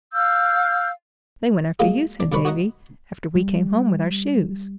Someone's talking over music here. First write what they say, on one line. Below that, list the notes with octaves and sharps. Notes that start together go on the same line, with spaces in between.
"They went after you," said Davie, "after we came home with our shoes."
F5 E6 F6 G6
F#3 G#3 A#3 F4 G#4
D4
G2 D4 A#4 B4 B5 C#6
F#4 C#5 D#5 F#5 A#5
G3